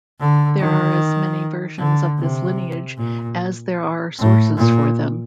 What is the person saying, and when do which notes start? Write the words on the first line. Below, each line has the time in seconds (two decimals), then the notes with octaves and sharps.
There are as many versions of this lineage as there are sources for them.
0.20 D3
0.60 D#3
1.79 D3
2.19 C3
2.98 A#2
4.19 A2
4.57 A#2